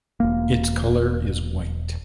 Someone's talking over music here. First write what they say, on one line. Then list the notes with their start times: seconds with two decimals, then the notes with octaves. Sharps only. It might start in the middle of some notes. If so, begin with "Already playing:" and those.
Its color is white.
0.20 E1 A#3